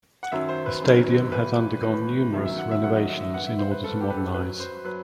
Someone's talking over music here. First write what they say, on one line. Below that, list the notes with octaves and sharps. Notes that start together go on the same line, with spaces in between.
The stadium has undergone numerous renovations in order to modernize.
F#5
F#2 D#3 F#3 E5
C5
B4
F#2 D#3 F#3
A2 E3 B4
A2 E3
F#2 D#3 F#3 E5
E5
F#5
E5
F#2 D#3 F#3 F#5
D#5
E5
E5
G2 E3 F#5
E5
C5
B4
G2 E3 A4
G4
B4
A4
F#2 F#3 B4
C5
F#3 B4